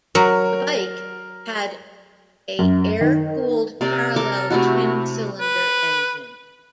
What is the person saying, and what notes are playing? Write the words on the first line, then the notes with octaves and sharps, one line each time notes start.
The bike had a air cooled parallel twin cylinder engine.
F#3 A#4
F#2
D#3
C3 A#4 D5
A4 A#4 D6
C3 A3 E4 F#4
B4